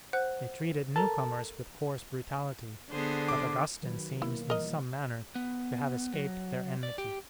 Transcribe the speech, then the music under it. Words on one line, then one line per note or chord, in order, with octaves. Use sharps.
They treated new-comers with coarse brutality, but Augustine seems in some manner to have escaped their enmity.
C5 F#5 F#6
A4 A#4 A5 A#5
D3 B3 G#4 C5
D6
D#3 F#3 B4
B2 A#3 E4
E3 F3 G3 A#4 D#5
B3
F#3
D5
G4